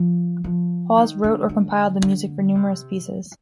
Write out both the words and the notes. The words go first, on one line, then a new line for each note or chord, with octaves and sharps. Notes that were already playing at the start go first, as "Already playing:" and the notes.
Hawes wrote or compiled the music for numerous pieces.
Already playing: F3
F3
D#3
D3
D3
D3
C3